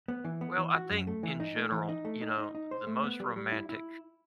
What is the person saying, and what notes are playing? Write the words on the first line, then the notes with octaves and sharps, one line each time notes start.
well, I think in general, you know, the most romantic
B3
E3
B3
E3
F#4
F#2
A3
E3
D#4
A3
E3
D#4
A3
D#4
D#4
D#4
C5
A3
B3
G3
G3
E4
E4